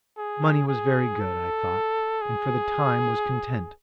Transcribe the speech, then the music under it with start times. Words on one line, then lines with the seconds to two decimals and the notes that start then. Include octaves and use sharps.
Money was very good, I thought, and for the time was content.
0.18 G#4
0.68 G#4
1.20 A4
2.22 G#4